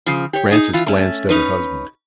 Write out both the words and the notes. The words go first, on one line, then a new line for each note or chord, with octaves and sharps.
Francis glanced at her husband.
C#3 F3
G4 C#5
D#4 G#4
E3 F4
A3 C#4
C#4 D#4 B4